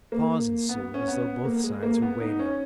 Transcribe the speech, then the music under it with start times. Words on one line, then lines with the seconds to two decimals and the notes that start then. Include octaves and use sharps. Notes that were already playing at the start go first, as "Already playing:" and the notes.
A pause ensued, as though both sides were waiting.
0.12 A#3
0.69 B3
0.94 C#4
1.08 B3
1.45 A#3
1.64 G#3
1.83 A#3
2.02 B3
2.21 D#4
2.39 C#4